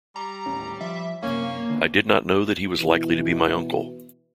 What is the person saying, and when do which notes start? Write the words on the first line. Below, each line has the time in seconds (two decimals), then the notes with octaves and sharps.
I did not know that he was likely to be my uncle.
0.16 G3 A#5
0.46 D#1 A1 C#4
0.81 F3 E5
1.22 F#2 C3 A#3 C#4
1.70 D3 B3
2.78 B2 E3